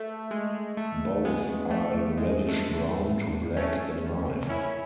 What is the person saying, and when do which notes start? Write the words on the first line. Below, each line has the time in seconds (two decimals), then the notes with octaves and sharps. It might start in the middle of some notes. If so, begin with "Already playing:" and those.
Both are a reddish brown to black in life.
Already playing: A3
0.31 G#3
0.77 A3
1.25 G#3 B3
1.71 A3
2.18 G#3
2.49 A3
3.57 A3 C#4
4.49 C#4 E4